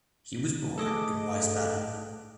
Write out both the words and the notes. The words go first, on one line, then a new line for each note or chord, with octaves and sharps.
He was born in Wiesbaden.
A3 G#4 A4 D#5 D6